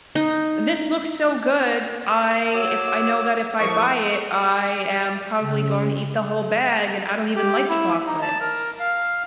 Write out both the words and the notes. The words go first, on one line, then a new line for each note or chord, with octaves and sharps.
this looks so good, I if I know that if I buy it I am probably going to eat the whole bag, and I don't even like chocolate.
D#4
F#4 C#5 D6 E6
A2 F3 A#4 D#5 C#6
C#3
G4
E4
D#4
A5
A#4
F5